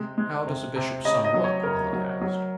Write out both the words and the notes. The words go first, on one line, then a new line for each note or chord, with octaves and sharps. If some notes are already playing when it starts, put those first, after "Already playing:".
"How does a bishop's son look?" Lily asked.
Already playing: C3 G#3
G#3
C3
C3
C#3 D#5
D#5
F#3
C#5
C#3 A#4
F#3
F#3